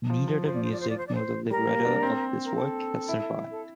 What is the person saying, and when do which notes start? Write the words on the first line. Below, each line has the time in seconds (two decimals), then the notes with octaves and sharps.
Neither the music nor the libretto of this work has survived.
0.10 F3
0.28 F3
0.45 F3 C5
0.53 D5
0.63 C5
0.71 D5
0.79 C5
0.89 D5
0.97 C5
1.07 D5
1.14 C5
1.50 G3 A#4
1.67 A#3
1.85 D4
2.03 C4
2.44 A#4
2.55 A4
3.08 E4
3.50 A4